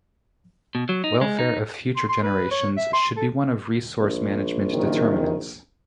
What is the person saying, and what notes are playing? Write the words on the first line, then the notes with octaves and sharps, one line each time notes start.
Welfare of future generations should be one of resource management determinants.
B2
F#3
D#4
G#3
D#4
C6
C6
B4
C#5
E5
C6
A4
A#1
F#1 C3 D#3